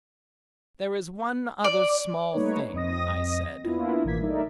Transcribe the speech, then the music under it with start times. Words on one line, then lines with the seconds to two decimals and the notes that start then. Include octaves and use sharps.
"There is one other small thing," I said.
1.64 D5
2.33 G3 A3 A#3 D#4 B4 C#5
2.73 F2 C4 D#5 D#6 A#6
3.64 A#3 B3 D4 E4 F4
4.04 A1 B2 E3 A#3 G#6 B6
4.21 G3 A3 D#4 A#4 D5 E5